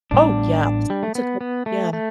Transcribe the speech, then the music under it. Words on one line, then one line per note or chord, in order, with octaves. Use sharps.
Oh, yeah. S It's okay. Yeah.
A1 A2 G3 B3 D4
G3
A3
B3
B3
A3
A3